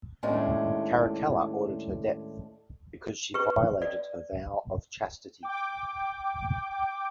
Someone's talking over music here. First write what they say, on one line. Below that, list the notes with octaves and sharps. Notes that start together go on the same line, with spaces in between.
Caracalla ordered her death, because she violated her vow of chastity.
D#2 A2 G#3 A3 C#4 D4
G4 B4 C#6
D5
G5 D6